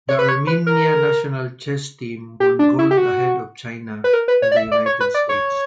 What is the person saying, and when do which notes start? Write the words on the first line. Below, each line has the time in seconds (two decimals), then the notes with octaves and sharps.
The Armenia national chess team won gold ahead of China and the United States.
0.09 C#5
0.19 B4
0.29 C#5
0.47 B4
0.67 A#4
2.40 G4
2.59 D4
2.79 E4
2.91 G4
2.98 F#4
4.04 B4
4.13 A#4
4.28 B4
4.42 C#5
4.52 D5
4.57 E5
4.72 D5
4.86 C#5
5.00 B4
5.14 D5
5.29 C#5